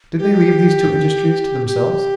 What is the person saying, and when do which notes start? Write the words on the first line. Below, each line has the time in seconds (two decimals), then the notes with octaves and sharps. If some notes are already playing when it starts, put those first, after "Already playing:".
Did they leave these two industries to themselves?
0.18 G4
1.66 G4